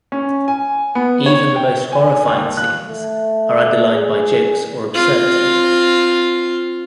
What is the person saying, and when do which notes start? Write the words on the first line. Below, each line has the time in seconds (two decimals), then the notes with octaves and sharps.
Even the most horrifying scenes are underlined by jokes or absurdity.
0.12 C#4
0.48 G#5
0.95 B3
1.26 C#5
1.56 G5
1.92 G#5
2.27 D#2
2.57 F#6
2.89 A3
3.92 G#4
4.94 C4 F4